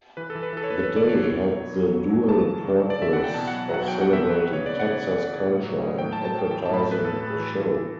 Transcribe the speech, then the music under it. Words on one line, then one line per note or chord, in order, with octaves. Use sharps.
The day had the dual purpose of celebrating Texas culture and advertising the show.
E3 B4
A4
E3
B4
E3 A4
C#5
E3 B4
E3 B4
D5
E3 C#5
B2 C#5
F#3
F#3
F#3
F#3
F#3
C#3 A5
E3
C#3
C#3
D5
C#3 E5
E3 F#5
G5
B2 A5
F#3 F#5
F#3 F#5
F#5
F#3 G5
B2 F#5
E5
B2 B4
E3 B4
C#3 C#5
D5
C#3 F#5
C#3
E3
C#3
A2
F#3
A2
A2 G5
F#3 A5
A5
F#3 G5
E3 G5
A5
A2 B5
A5
A2 B4
A2 A4
A2
E3
E3
E3